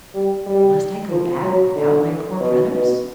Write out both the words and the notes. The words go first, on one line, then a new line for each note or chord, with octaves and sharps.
"Must I go back without my poor brothers?"
G3
G3
F3
F#3
D3
B2
B2